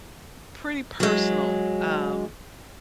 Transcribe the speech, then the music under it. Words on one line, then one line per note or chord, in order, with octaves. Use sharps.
pretty personal, um
F#3 G#3